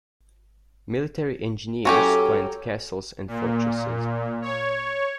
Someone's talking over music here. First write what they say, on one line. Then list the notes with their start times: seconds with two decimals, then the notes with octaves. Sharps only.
Military engineers planned castles and fortresses.
1.85 F#3 C#4 G4 A4
3.28 A#2
4.42 C#5